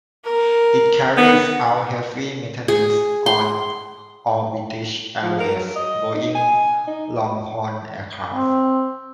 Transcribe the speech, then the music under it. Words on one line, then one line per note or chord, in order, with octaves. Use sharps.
It carries out heavy maintenance on all British Airways Boeing longhaul aircraft.
A#4
B3 F#5
G#4
C6
F3
A#4
F#3
D#5
D#4
G#5
D#4
C4